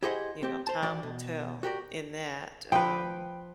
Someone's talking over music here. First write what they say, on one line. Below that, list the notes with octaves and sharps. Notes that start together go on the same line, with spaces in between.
You know, time will tell in that, um
E4 G4 G#4 C5 D#5 F#5
C4 G4
C5 A5
E3 F#4 D5
B2
F#4 G4 A#4 D5
F3 B4 G5